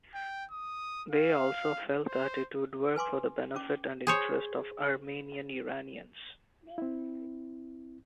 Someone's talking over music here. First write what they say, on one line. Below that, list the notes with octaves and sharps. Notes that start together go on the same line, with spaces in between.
They also felt that it would work for the benefit and interest of Armenian-Iranians.
G5
D#6
F5
C5
B4 G#5 C6 D6
C#4 D6
G#4 C5 C#5
C4 E4